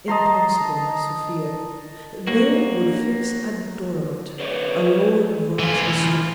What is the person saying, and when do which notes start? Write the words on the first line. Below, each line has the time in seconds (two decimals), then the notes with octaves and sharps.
Impossible! my Sophia; they would fix a Dorimant, a Lord Rochester.
0.08 D#5 A5 A#5 C6
2.27 D#2 A#3 F#4
4.40 G#4 B4 C#5 D5
5.59 E3 F4